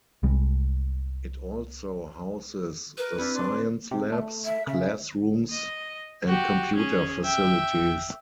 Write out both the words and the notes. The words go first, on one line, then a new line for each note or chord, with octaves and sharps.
It also houses the science labs, classrooms and computer facilities.
C2 G3 G#3
A#4 B4
C4 D4 E4 G4 B5 F6
D4 C6
C3
A3
E5
C#3 E5
D#5
F#4 G4
C#4 G#4
E5 G5